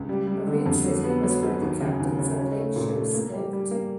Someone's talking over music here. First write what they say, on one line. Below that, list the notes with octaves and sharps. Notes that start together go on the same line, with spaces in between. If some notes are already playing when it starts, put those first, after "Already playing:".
Marine City was where the captains of lake ships lived.
Already playing: C#2
G3
G3
D3
F2
F#3
B3
F#3
F#3
D#2
C#3
D#2
C#3
C#4
A3
A#2
A3
A#3
G3
G3
A#3